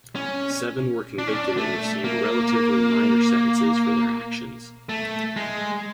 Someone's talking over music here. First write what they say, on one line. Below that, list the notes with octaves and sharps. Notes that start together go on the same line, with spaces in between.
Seven were convicted and received relatively minor sentences for their actions.
C#4
D4
C#4
D4
A3
A#3
A3
G#3